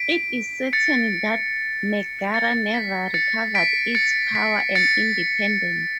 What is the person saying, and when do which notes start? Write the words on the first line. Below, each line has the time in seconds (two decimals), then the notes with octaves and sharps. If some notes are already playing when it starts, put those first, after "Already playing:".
It is certain that Megara never recovered its power and independence.
Already playing: B6 D7
0.73 A6 C#7
2.34 A6 C#7
2.74 B6
3.14 A6 C#7
3.55 B6 D7
3.95 A6 C#7
4.35 B6
4.75 A6 C#7